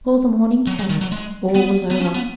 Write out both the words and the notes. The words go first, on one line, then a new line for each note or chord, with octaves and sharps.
Before the morning came all was over.
F#3
F#3
D#3
F#3
G#3
B3
B3
C#4
B3